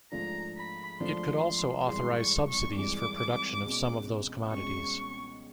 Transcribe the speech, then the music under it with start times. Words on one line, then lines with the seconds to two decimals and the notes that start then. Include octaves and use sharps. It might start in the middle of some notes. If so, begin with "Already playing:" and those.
It could also authorize subsidies for production of some of those commodities.
0.12 G#2 F3 A3 D4 F4 A#5
0.57 B5
1.00 G#2 F3 A3 D4 F4 C6
1.87 G#1 G2 E3 G#3 C6
2.17 C#6
2.47 C#6
2.75 G#1 G2 E3 G#3 D6
3.64 C#2 B2 G#3 C#4
4.52 C#2 B2 G#3 C#4 C#6